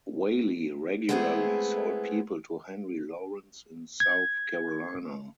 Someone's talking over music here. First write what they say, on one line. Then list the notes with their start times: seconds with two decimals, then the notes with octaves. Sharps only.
Whaley regularly sold people to Henry Laurens in South Carolina.
1.09 G#3 A3 B3 C4 E4 G#4
4.00 G#6